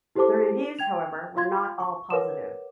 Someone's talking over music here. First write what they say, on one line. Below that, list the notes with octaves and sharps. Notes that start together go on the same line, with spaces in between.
The reviews, however, were not all positive.
E4 G4 A4 C5 A5 D6
G5 G#6 F7
F4 F5 C6 G#6
C#6
A#4 B4 C#5 F#5 D6 E7